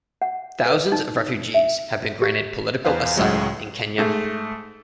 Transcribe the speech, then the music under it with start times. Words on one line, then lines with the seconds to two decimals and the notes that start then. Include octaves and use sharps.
Thousands of refugees have been granted political asylum in Kenya.
0.22 F#5
0.66 B4
0.92 D#4
1.54 E5
2.22 G4
2.85 E2 B4 C5 F5
3.16 C#2 A2 F#3 G#3
3.98 G#2 A3